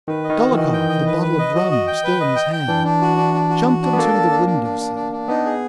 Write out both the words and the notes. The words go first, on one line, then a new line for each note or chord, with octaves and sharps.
Dolokhov, the bottle of rum still in his hand, jumped onto the window sill.
D#3 B4
D#5
D#3
F#4
E3 D#5
G5
D#5
B4
B4
D#5
F#4
D#5
G5
B4
D#5
G5
G5
E3 D4
D4
F#4
D4
D4
F#4
F#4
D4
B3
A#3 A4
D4
D4
D4
D4
D4
D4
D4
B3 D#4
G#4